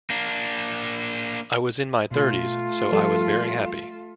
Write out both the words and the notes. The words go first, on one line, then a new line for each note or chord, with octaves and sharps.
I was in my thirties, so I was very happy.
A#3 D4
B2 A3 F4
F3 G3 A4 F5